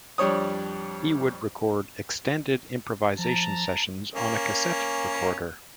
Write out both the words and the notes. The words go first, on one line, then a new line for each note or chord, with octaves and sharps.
He would record extended improvisation sessions on a cassette recorder.
F2 G3 D4 C#5 D#6
F3 A5 A#5
A#3 C#4